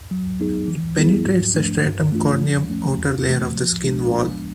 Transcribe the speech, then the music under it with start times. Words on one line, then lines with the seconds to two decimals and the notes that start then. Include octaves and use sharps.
It penetrates the stratum corneum outer layer of skin wall.
0.11 F#3
0.40 B3 D#4 G#4
0.68 E3
0.97 G3 B3 E4 G#4
1.26 G#2
1.54 F3 A3 D4
1.84 G2
2.12 E3 A3 D4 F4
2.41 F3
2.69 A3 C#4
2.98 E2
3.27 C3 E3 A3
3.56 F3
3.85 G#3 B3 D4